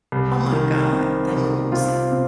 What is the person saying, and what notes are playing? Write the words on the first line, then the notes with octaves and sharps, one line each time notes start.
oh my god. That movie was
C2
D#3
C3
C2
C3 F4
C3